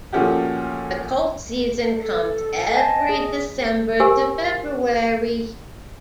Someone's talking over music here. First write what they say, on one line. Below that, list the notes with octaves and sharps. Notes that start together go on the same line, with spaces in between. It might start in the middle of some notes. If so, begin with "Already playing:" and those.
The cold season comes every December to February.
A#2 F3 A3 C#4 F#4 G4
A4
D#5 G#5 A5
G#4
G4 A#4 C5 G#5 E6